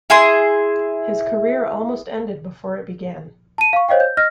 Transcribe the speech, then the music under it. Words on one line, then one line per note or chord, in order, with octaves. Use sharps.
His career almost ended before it began.
E4 G#4 E5 C6
A5 D#7
F5 C#6
C5 C#5 D#5 F5 G5
G6
D#5 F6 A#6